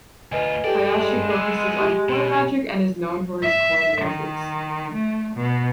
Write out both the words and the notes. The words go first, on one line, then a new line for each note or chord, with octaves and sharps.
Hayashi focuses on coin magic and is known for his coin matrix.
D2 F4 B4 D#5 G#5
G2 G4 A4 D5 G5
G#3
B3 G#4 E6 F#6 C7
G4
B2
E5
D#3
A3
B2